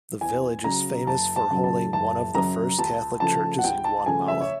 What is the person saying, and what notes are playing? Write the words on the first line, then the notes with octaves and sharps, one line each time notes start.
The village is famous for holding one of the first Catholic churches in Guatemala.
E2 G#5
C#3 F#3 A#5
F#1 A5
A5
F#2 C#3 F#3
A5
F#1 A5
F#2 C#3 F#3 A#5
C#2 A5
C#3 F3 A3 A5
F#5
C#2 G5
A5
C#3 F3 A3 G#5
E5
C#5